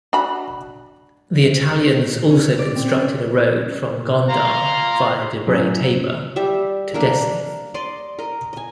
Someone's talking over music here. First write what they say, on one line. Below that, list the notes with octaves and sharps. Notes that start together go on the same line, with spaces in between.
The Italians also constructed a road from Gondar via Debre Tabor to Dessie.
D4 F#4 B5
C#4
D5
C4
C#4
F5 A#5 C6
F#2
G3 G4 E5
A#3 D4 A#4
D5 D#5 C6
A#4 D#5
D#5 G#5